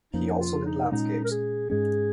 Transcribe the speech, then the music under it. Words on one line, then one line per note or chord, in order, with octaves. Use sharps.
He also did landscapes.
F2 F3 A#3 C#4 D#4
F4
D#4
A#2 G#3 C#4 D#4
A#4
G#4
G#2 G#3 C#4 G#4